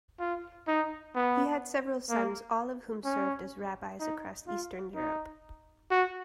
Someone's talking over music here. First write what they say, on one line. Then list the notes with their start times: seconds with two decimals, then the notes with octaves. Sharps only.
He had several sons; all of whom served as rabbis across Eastern Europe.
0.20 F4
0.67 D#4
1.15 B3
2.09 A#3
3.05 C#4
4.00 D#4
4.47 F4
4.95 D#4
5.91 F#4